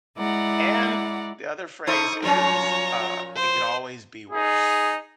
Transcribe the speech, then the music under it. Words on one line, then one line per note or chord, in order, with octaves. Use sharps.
And the other phrase is, uh, "It can always be worse."
G#3 E4 D5 F#5 A#5
D#4 A4 C5 C#6 D#6
A#2 F3 C#4 C#5 A#5
C5
D#4 G#4